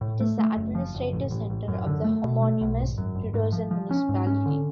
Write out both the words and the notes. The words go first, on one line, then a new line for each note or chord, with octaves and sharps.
It is the administrative centre of the homonymous Rudozem Municipality.
A2
A3
A3
F#1
F3
F#1
A1
A1
A1
F#2
D3
A3
B2
A3
B1
G#1
F#2
G#1
G#2
F3
F3
C#4
G#2
C#4
D3